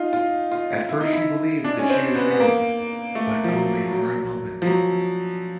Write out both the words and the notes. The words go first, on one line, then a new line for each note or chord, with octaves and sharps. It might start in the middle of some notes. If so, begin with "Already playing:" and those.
At first she believed that she was dreaming, but only for a moment.
Already playing: D#4 F4
F4
F4
E4
D#4
E4
D4
C#4
C4
B3
B3
A#3
A3
F3
F#3
F#3
F3
F#3